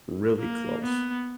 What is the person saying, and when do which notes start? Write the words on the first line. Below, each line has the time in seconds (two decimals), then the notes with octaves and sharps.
really close.
0.39 A#3
0.83 B3